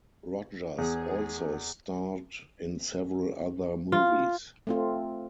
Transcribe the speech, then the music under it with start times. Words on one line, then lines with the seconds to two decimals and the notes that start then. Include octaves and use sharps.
Rogers also starred in several other movies.
0.78 E2 G#4
3.92 F4
4.67 A3 C4 F4